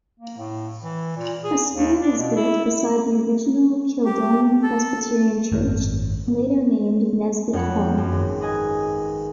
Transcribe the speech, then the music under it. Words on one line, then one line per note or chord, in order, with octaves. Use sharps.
A school was built beside the original Kildonan Presbyterian Church, later named Nisbet Hall.
A#3
A2
E3
A#2
G#4
D#2
D4
B2
E4
E4
G4
A4
G#1 F#2
F2 F#3 C#5 F#5 B5
F#2
G#1
B4 D#5 G#5